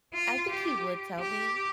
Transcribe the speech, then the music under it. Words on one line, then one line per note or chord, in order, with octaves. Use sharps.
I think he would tell me.
F4
G4
G4